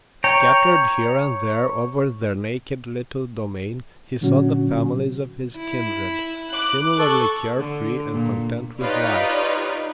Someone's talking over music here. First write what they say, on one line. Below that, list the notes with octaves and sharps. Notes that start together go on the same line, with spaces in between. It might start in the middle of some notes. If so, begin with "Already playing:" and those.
Scattered here and there over their naked little domain he saw the families of his kindred, similarly care-free and content with life.
C#5 G5 A#5
A#2 D3 F#3 C#4 F#4
E4
D6 F#6
A4 C#6
D3
A#2
D#4 F4 G4 B4 C#5 D5